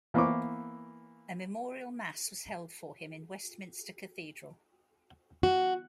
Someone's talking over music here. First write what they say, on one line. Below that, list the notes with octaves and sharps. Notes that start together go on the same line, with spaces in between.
A memorial mass was held for him in Westminster Cathedral.
E3 A#3 B3 C5 C#6 D6
F#4